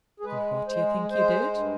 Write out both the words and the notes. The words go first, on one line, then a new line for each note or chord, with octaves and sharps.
And what do you think he did?
G#4
G#3 B4
G#3 C5
G#3 C5
G2